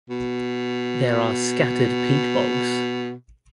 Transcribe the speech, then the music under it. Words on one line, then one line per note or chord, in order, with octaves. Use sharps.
There are scattered peat bogs.
B2